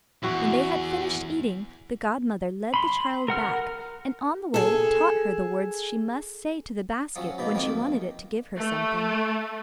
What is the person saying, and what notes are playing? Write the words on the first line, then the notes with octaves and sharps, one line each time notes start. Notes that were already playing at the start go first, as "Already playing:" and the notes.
When they had finished eating, the godmother led the child back, and on the way taught her the words she must say to the basket when she wanted it to give her something.
E2 E4 F#4
B5 C6
A#4 F#5 F6
G#4 A4
F3 F#3 C#4
G#2 B2 A#3
F2 D#3 F3 A#3
A3